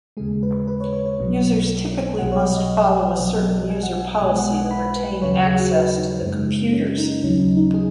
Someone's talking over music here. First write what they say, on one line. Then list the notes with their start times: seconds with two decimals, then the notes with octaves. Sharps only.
Users typically must follow a certain user policy to retain access to the computers.
0.17 D#2 C#3 G#3 G#4
0.43 B4
0.68 B4
0.80 C#5
0.93 C#5
1.05 C#5
1.18 B1 B2 F#3
2.19 B1 B2 F#3 F#5
2.32 C#5
2.44 D#5
2.57 D#5
3.20 B1 B2 F#3
3.70 G#5
3.83 F#5
4.08 F#5
4.20 B1 B2 G#3 G#5
4.38 F#5
4.54 F#5
4.71 B5
4.96 B4
5.21 D#2 C#3 F#3 C#5
5.34 C#5
5.46 G#4
5.59 F#4
5.72 B4
5.97 D#4
6.22 F#2 C#3 G#3
6.73 C#4
6.98 D#4
7.23 D#2 C#3 F#3 C#4
7.39 D#4
7.57 D#4
7.74 G#4